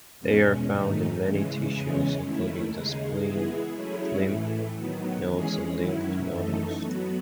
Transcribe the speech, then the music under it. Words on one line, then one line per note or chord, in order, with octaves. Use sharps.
They are found in many tissues including the spleen, lymph nodes and lymph nodules.
E2 B2 G#3 C#4
G#2 D#3 A3 D#4
C#3 E3 G#3
E2 C#3 E3 G#3 C#4
D#2 D#3 A3 E4
D#2 C#3 G#3 D#4 G#4
E3 G#3 B3 E4 G#4
F#3 A3 C#4 E4 G#4
A2 E3 A3
D#3 F#3 B3
E3 G#3 C#4 G#4
F#2 D#3 F#3 C#4 E4
F#2 E3 A3 D#4 A4
F#3 B3 F#4